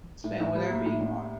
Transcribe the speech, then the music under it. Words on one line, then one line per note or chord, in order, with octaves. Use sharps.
Spend whatever you want.
A2
A2
G3
A#3
A2
A2